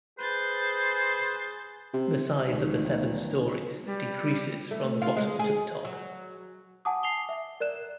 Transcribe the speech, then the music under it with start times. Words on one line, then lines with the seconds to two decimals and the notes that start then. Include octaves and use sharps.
The size of the seven storeys decreases from the bottom to the top.
0.19 G#4 B4 C5 G6 A6
1.93 C3
2.48 D2 G#2 D#3 F3
2.85 B1
3.86 G3
4.71 A3
5.02 F4
5.17 G#3
5.39 G#4
5.85 F#3
6.85 F#5 G#5 A5 D6 D#6
7.03 C7 F7 G7
7.29 E5
7.60 A#4 D5 F#6 E7